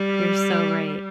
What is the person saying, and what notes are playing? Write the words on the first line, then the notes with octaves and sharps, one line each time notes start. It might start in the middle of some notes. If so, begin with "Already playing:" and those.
You're so right,
Already playing: G3